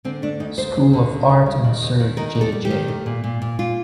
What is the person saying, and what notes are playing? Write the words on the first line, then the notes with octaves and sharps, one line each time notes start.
School of Art and Sir J. J.
D3 C4
A3 D4
D2 D#4
D2 C5
D2
D3
D2
D2
G3
D#3
D#2
D#3
D#3 A#4
D#2
A4
G3
G4
D#3
A3
A#2
A#2
A#2
A#2 F4